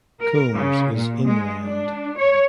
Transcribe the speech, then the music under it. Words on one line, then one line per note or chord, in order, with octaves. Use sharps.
Coombes is inland.
A#4
C#3
A#2
G#3
D4
C#5